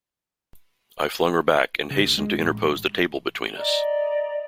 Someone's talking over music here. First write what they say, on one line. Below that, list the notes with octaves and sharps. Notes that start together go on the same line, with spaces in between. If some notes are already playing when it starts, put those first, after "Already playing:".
I flung her back, and hastened to interpose the table between us.
C#3
D2
G#3
A1
D5 D#5 A#5